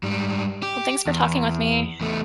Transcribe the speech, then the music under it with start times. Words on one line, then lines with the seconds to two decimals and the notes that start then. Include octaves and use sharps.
Well, thanks for talking with me.
0.03 G#2 G3
0.63 G4
1.07 E2
2.01 E2 A3